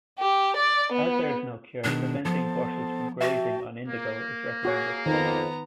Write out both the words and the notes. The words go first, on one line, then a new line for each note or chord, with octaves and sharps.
As there is no cure, preventing horses from grazing on indigo is recommended.
G4
D5
B3
B2 D#3 G#3 D4
F3 B3 A4 C5 A5
F#4 E5 G5 A5
A#3
F#4 G#4 C#5
F2 D#3 B3 A#5